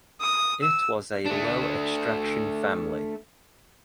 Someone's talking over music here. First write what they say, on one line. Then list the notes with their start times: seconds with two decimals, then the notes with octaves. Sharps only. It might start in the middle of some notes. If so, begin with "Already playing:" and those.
It was a low-extraction family.
0.21 D#6
0.62 E6
1.26 A3 D4